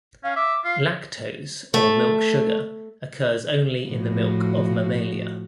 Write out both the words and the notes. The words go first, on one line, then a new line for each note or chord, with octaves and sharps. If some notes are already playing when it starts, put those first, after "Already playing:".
Lactose, or milk sugar, occurs only in the milk of mammalia.
C#4 F5
E5 D6
F4 C7
A3
A2 F3 F#4